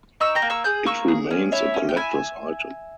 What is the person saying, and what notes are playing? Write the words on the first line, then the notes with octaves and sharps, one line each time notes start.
It remains a collector's item.
D#4 C#6 E6
G5 A#5
A#3
C#6 E6
G#4 D#6 G6
A#3 C#6 E6
G#4
C#4
E4 C#5 E5
C#4
G5
E4 E5 G#5